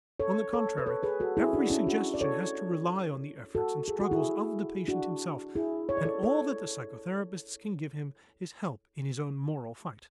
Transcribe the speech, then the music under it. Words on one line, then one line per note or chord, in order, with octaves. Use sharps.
On the contrary, every suggestion has to rely on the efforts and struggles of the patient himself and all that the psychotherapists can give him is help in his own moral fight.
A4 C#5
A4 C#5
B4
A4 C#5
G#4 B4
F#4 A4
E4 G#4
D4 F#4
C#4 E4
D4 F#4
D5
A4 C#5
F#4 A4
G#4
F#4
E4 G#4
D4 F#4
E4 G#4
C#5
D5
A4 C#5
A4 C#5